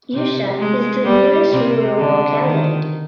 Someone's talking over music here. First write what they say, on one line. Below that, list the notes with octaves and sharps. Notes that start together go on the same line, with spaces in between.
Yusha is the nearest rural locality.
C3
G#3
G3
C3
D3
D#3